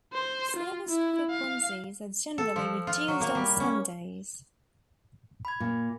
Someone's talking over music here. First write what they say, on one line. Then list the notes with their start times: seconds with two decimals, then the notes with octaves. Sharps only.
Service frequencies are generally reduced on Sundays.
0.13 C5
0.56 F4
0.89 E4
1.30 F5
2.38 A4
2.56 F3
2.87 F4
3.08 F#3
3.21 A#3
3.35 G3
3.60 C#4
5.45 B5 G#6
5.60 A#2